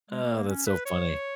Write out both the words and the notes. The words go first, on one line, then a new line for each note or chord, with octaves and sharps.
Uh, that's so funny.
G#3
A#3
A#3
C#4
B4
C#5